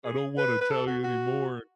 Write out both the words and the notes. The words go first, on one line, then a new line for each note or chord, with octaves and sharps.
I don't wanna tell you anymore
G#4
B4
B4
A4
F#4
F#4